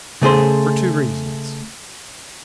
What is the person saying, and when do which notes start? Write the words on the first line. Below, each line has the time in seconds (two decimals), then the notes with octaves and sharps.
"For two reasons."
0.22 C#3 A3 G#4 C5